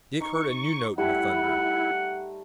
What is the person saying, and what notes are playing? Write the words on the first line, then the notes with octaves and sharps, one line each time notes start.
Dick heard a new note in the thunder.
D#4 C#6
G3 A3 E4 F#5 B5